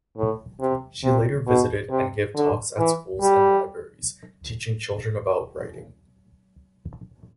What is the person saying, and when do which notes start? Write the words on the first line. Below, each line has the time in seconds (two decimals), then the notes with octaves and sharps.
She later visited and gave talks at schools and libraries, teaching children about writing.
0.17 A2
0.61 C3
1.04 C3
1.47 B2
1.91 C3
2.35 D3
2.78 E3
3.21 G3